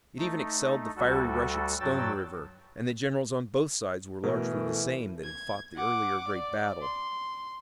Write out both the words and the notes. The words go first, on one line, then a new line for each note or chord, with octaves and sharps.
It even excelled the fiery rush at Stone River, and the generals on both sides were largely the same that had fought the earlier great battle.
A3 D#4
D2 G3 F#4 A4
G2 F#3 F#4 G5 E6 A6
B2 E3 A3 A4 A#4
G#6
F#5 D6
D5
C6